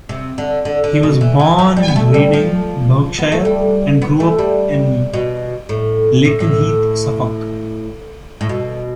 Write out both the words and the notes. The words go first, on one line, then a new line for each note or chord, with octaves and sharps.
He was born in Reading, Berkshire and grew up in Lakenheath, Suffolk.
C3
D3
D3
D3
B2
E3
E3
F3
G3
B3
A3
G3
F3
B3
A3
G3
B3
A3
G3
B2
A2
A2
A2
A2
B2